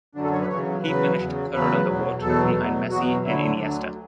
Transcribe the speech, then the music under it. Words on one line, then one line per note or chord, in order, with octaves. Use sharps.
He finished third on the vote, behind Messi and Iniesta.
F#2 D3 F#3 D4
A4
C#5
B4
E2 C#3 F#3 C#5
E2 C#3 F#3 B4
E2 C#3 F#3
E2 C#3 F#3 B4
E2 B2 F#3
E2 B2 F#3 A4
E2 B2 F#3
E2 B2 F#3 F#4
D2 D3 F#3 E4
D2 D3 F#3 D4